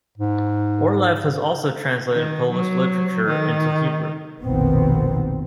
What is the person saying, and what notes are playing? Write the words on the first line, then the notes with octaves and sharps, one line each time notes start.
Orlev has also translated Polish literature into Hebrew.
G#2
D#3
F#3
D#3
F1 A#1 B2 D#3 B3 C4